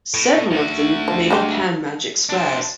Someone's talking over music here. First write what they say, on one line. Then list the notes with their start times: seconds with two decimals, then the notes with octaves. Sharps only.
Several of them may be panmagic squares.
0.14 A2
0.51 D2 F#4
1.08 F3
1.30 G3 G#3 G4
2.29 D4 C5